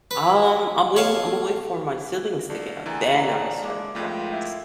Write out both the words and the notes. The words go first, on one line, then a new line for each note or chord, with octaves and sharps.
um, I'm waiting I'm a wait for my siblings to get up, then I'm a start up breakfast.
B4
B2 A4 C#5 F5
C2 D4
D2 D#3 E3 G#4 G#5 A#5
C5 C#5 A#5
G#3 A#3 E5 D6
F2 D#3 G#3 A3 F4
E4